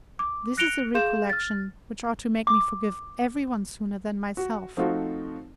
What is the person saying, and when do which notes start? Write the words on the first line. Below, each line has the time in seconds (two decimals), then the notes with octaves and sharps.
This is a recollection which ought to make me forgive every one sooner than myself.
0.19 D6
0.57 F#6 A#6 C#7 D7 F7 G7
0.94 G#4 F5 C6 G6 E7
1.29 F6 A6
2.47 D6
4.37 F#4
4.77 F3 A3 C4 D#4 F4 F#4